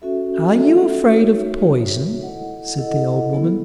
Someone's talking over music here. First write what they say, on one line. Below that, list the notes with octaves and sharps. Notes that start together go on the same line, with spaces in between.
"Are you afraid of poison?" said the old woman.
C#4 F#4 A4 E5
C#4 F#4 A4 E5
D#4 F#4 C#5 E5
D#4 F#4 C#5 E5
E4 A4 D#5 F#5
E4 A4 D#5 F#5
F#3 B3 E4 A4